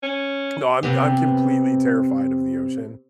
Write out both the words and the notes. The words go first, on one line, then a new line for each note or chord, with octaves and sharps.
No, I'm I'm completely terrified of the ocean.
C#4
C3 B3 G4